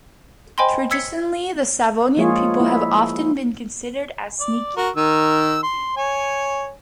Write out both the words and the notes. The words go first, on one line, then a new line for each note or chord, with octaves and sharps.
Traditionally, the Savonian people have often been considered as "sneaky".
C5 D#5 G5 G#5 B5 C6
E6 G#6 B6 C#7
F3 G#3 A#3 F4 G#4 C#5
E4
D5
F#4 A#4
D#3 A#4 E6
C6
C#5 G#5